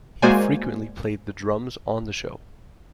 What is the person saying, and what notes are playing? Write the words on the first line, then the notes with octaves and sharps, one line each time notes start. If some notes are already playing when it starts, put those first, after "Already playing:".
He frequently played the drums on the show.
G#3 A#3 F#4 C5 D5 G#5